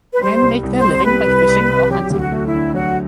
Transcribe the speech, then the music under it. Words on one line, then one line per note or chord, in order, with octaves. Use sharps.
Men make their living by fishing or hunting.
B4
G3 C5
C2
C2
C5
C3
G3 B4
C2
C2
C3
F#3 G4
D2 G4
F#4
A3
E4
D3
F#3 F#4